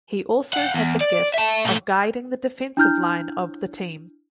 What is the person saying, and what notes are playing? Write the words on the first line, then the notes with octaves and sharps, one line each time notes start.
He also had the gift of guiding the defensive line of the team.
F5 F#5
E2
D5
E5 A5
A#2 A3
D4 E4 F6 G6